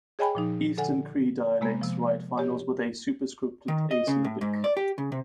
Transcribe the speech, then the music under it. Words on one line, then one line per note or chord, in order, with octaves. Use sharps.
Eastern Cree dialects write finals with a superscripted a-syllabic.
G#4 C#5 D#5 G5 G#5 B5
A#2 F3 D#4
D3 A4 F#5 G#5
C3 G#3 A#3 B3
C3 F3
G4 C#5
D#3
D#5
C#3
A2
G#2
D5
G4
C#3
C3